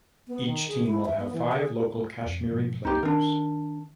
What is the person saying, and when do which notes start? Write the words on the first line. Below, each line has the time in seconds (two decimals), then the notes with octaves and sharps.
Each team will have five local Kashmiri players.
0.28 B3
0.45 D#3
0.68 G#4
0.87 E4
1.05 E5
1.20 B3
1.33 E3
1.52 G#4
2.26 F2
2.50 G#2 B2 F3
2.85 C2 A#3 D#4 G4
3.03 D#3 D4 A#4